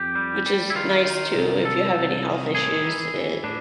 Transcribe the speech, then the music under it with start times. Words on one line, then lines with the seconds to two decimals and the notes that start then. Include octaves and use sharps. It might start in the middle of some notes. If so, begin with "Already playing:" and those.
Which is nice, too, if you have any health issues. It
Already playing: F2 G4
0.15 G3
0.46 G3
0.70 E4
0.75 D#3 F4
1.05 D#3
1.34 C2
1.64 C2 A4
1.95 C2
2.24 D#3
2.54 A2 G#4
2.84 E3
3.14 E3
3.44 A2 D4